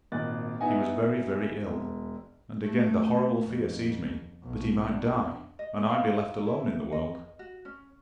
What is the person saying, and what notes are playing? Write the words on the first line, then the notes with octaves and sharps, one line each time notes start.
He was very, very ill; and again the horrible fear seized me that he might die, and I be left alone in the world.
G#1 A#2 D#5 F#6 A6
B3 D#4 E4 D#5 F#5 G#5
E1
A3
F2
B1
D4
D#5
F5
E4
D#5
F#4
C#4